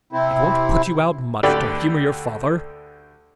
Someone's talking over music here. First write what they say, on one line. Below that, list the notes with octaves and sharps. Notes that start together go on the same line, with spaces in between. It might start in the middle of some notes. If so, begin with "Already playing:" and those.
It won't put you out much to humor your father!
C3 C4 E4
D2 D3 G4 D5 G5 B5